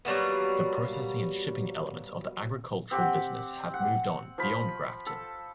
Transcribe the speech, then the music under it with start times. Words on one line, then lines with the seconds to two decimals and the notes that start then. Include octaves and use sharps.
The processing and shipping elements of the agricultural business have moved on beyond Grafton.
0.05 F#3 G3 A#3 B3
2.91 C4 G4 F#5 G5
3.74 F#5
4.38 F3 B5
5.06 A4